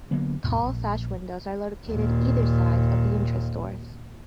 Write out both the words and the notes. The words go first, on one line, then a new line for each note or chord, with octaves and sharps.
Tall sash windows are located either side of the entrance doors.
D3 F#3 A#3 B3
D#2 G#2 B2
A#1
D#2 A#2